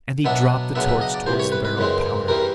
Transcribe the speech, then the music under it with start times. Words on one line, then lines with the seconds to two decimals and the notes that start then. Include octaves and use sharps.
And he dropped the torch towards the barrel of powder.
0.25 B2 F#3 B3 D4 E5
0.75 C#3 F#3 B3 D4 E5
0.89 E5
1.01 D#5
1.14 D5
1.26 C2 C3 E3 C5
1.39 C#5
1.52 B4
1.65 B4
1.77 F#2 C#3 E3 G#3 C4
2.28 G2 E3 G3 C4 A#4